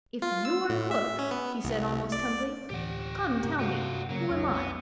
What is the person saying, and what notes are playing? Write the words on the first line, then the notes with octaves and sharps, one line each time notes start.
"If you are Hook," he said almost humbly, "come tell me, who am I?"
F4
E6
A2
E5
C#4
B3
C2
D5
D2 A2 E3 G4 F#5
G2 C3 A#3
A3 F4 F#4
C#3 F#3 A#3
B1 F2 C#4
B3